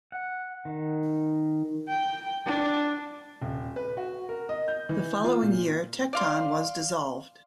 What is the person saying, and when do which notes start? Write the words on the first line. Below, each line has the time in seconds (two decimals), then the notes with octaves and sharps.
The following year Tecton was dissolved.
0.12 F#5
0.65 D#3
1.89 G5
2.46 D4
3.42 D#1
3.76 B4
3.97 F#4
4.29 A#4
4.49 D#5
4.68 G6
4.89 E3
5.24 F4
5.43 A#2
6.13 D5 F5 C6